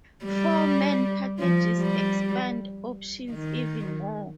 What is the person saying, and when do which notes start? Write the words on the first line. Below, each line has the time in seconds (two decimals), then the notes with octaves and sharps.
Four-man packages expand options even more.
0.25 G3
1.39 F3
1.78 G3
3.31 D#3